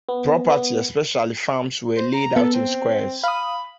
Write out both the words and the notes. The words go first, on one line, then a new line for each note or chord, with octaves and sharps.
Property, especially farms, were laid out in squares.
B3
B3
C5
A#5
B3 A4
C4
F5 B5 D#6